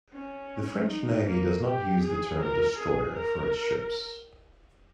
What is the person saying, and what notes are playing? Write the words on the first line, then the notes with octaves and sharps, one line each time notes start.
The French Navy does not use the term "destroyer" for its ships.
C#4
D#4
A#3
G4
G#4
A#4
G#4
A#4